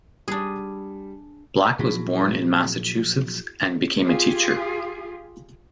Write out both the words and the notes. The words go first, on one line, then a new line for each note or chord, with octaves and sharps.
Black was born in Massachusetts, and became a teacher.
G3 D4 G#4
A#2 F3 F#3 E4 F#4 G#4
F4 G4 G#4